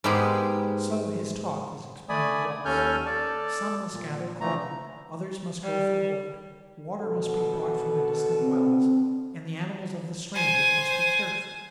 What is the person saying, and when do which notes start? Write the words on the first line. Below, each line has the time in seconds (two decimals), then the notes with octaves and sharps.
So his talk is explained to us. Some must gather corn, others must go for wood, water must be brought from the distant wells, and the animals of the strangers must be cared for.
0.04 G#2 G#3 A#3 B3 G4 G#4
2.09 A3 D5 G#5 B5 D#6
2.65 D#2 C#4 A4 G#5 F6 G6
3.06 A4 D5 A5
3.92 A#2
4.41 D3 E3 F3 A3 A#5
5.64 G3
7.01 B2 D3 A4
8.41 C4
10.34 C5 G#5